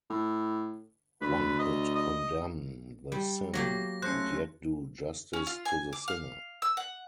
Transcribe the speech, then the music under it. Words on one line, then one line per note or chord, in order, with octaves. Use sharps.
One could condemn the sin, and yet do justice to the sinner.
A2
D2 B4
D#5
D#5
G3
F#3 A#3 G4 A#6
A3 C#4 C5 F#6 A#6 C#7
C#4
F4
G#5
D6
F5
E6
F#5